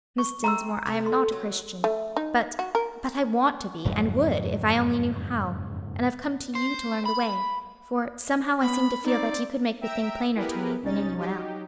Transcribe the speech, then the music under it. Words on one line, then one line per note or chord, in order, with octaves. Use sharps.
Miss Dinsmore, I am not a Christian, but--but I want to be, and would, if I only knew how; and I've come to you to learn the way; for somehow I seem to feel that you could make the thing plainer to me than any one else.
C#6
A3 C4 A#5 C6 E6
C3 A4 A#4
C6
F#3
A3
D#4
F#4
A#4
F#1 F2 G#2 F#3
C5
B5
B3 B5
C4 D#4 D5
E5 G5 A#5 E6 D7
B3 E4 G4 G#4 A#4 B4
C2 C#4 D#4 A6
F#3 D#4 G4